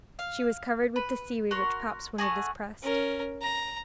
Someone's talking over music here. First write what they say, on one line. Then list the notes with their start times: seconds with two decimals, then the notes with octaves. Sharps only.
She was covered with the seaweed which pops when it is pressed.
0.19 F5
0.96 B4
1.51 F#4 A#4 C6
2.18 A3 D4 F#4 G#4
2.82 C#4 A#4
3.42 A#5